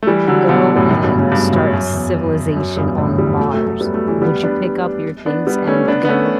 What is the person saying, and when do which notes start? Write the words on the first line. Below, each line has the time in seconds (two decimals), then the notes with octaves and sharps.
go and start civilization on Mars, would you pick up your things and go?
0.03 A3
0.07 E3 G3
0.28 D3 F#3
0.49 B2 D3
0.76 F#2 A2
0.91 F#2 A2
1.04 G2 B2
1.18 A2 C#3
1.32 G2 B2
1.53 F#2 A2
1.74 F#2
1.93 E2
2.57 F#2
2.77 E2 G2
2.98 F#2 A2
3.19 E3 G3
3.39 F#3 A3
3.53 F#3 A3
3.67 F#3 A3
3.80 G3 B3
3.94 F#3 A3
4.08 E3 G3
4.22 G3 B3
4.44 B3 D4
5.26 B3 D4
5.47 G3 B3
5.67 A3 C#4
5.88 B3 D4
6.05 B3
6.08 A3 C#4